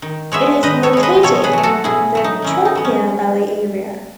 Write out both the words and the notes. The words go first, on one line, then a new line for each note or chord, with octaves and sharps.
It is located in the Trompia valley area.
D#3
G#3 B3 C#5 E5
D#3 B4 D#5
A4 C#5
G#3 B3
B4 D#5
B2 A4 C#5
G#4 B4
F#3 A3
F#4 A4
B2 E4 G#4
F#3 A3
D#4
D#3 C#4 E4
D#4
F#3 B3
C#4